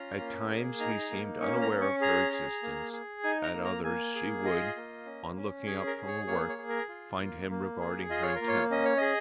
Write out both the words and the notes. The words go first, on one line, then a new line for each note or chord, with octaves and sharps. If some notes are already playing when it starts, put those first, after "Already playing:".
At times he seemed unaware of her existence; at others she would, on looking up from her work, find him regarding her intently.
Already playing: C#4 F4 A#5
A#3
G#4
D#4 A#5
A#3
C#4 C#6
A#5
C#4
C#6
G#4 A#5
G#4
A#3
G#4
D#4 G#5
A#5
A#3
A#5
A#3 G#5
G#4
F4 D#5
A#3
C#4
C#4
G#4 C#5
A#4
G#4
C#5
A#3 C#5
C#5
G#4
A#4
F4
A#3
A#3
G#4
F4 D#5
C#5
A#3 A#4
C#5
C#4 D#5
C#5
G#4 D#5